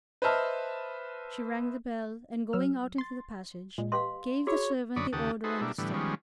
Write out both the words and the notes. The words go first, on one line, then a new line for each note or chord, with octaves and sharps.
She rang the bell, and going out into the passage, gave the servant the order on the stairs.
B4 C5 D#5 E5 A5 F6
F#3 E6 F6
C6 A6
A#2 G#3
G4 B4 D#5 F5 C6
F#4 G#4 C#5 B5 C#6 E6
F#2 D3 C#5 D5 B5 D#6
D#2 C#3 G4 F#5 A5 D#6
D#4 F#4 G#4 A4 B4 C5
B2 G3 A3 A#3 D4 E4
A2 D3 E3 G3 B3
D#3 F3 G3 G#3 B3 C#4